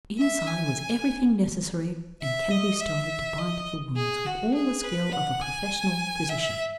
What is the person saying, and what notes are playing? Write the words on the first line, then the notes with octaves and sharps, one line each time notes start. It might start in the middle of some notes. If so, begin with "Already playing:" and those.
Inside was everything necessary and Kennedy started to bind up the wounds with all the skill of a professional physician.
E5
G#5
E5
D#5
E5
D#5
G#4
F#4
G#4
B4
F#5
G#5
E5